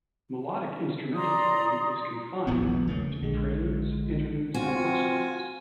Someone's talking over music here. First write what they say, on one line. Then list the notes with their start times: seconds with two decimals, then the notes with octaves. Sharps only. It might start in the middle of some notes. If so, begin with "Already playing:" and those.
Melodic instrumental playing is confined to preludes, interludes and postludes.
1.16 D5 A#5 C6 D#6
2.47 D#1 A#1 E2 B3
2.87 C#3 A3 A#3
3.21 A#1 D3 G#3
4.54 C4 F4 F#4 G#5